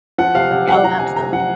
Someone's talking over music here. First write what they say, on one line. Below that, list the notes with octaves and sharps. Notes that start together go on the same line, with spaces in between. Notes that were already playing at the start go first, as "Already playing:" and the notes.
Oh, absolute
F3 F#5
C3 F5
C3 F#5
F3 F#5
F3 A#5
C3 G#5
C3 A#5
F3 F#5